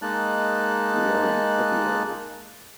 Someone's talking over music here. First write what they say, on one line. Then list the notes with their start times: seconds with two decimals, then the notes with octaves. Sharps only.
We are in February.
0.02 G#3 A#3 D#4 A5 F#6